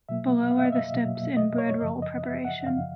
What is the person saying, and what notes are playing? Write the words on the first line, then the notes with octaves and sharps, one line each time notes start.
Below are the steps in bread roll preparation.
B2 F#3 A#3 E5
F5
E5
D#5
E5
B2 F#3 A#3
E5
D#5
C#5
F#2 C#3 F3 D#5
D#5
E5
F#5
F#2 C#3 F3 F5